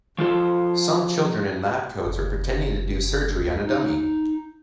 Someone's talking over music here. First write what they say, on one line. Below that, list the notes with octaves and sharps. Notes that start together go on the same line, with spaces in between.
Some children in lab coats are pretending to do surgery on a dummy.
F3 F4 A4 C5
F#1
D2
D#4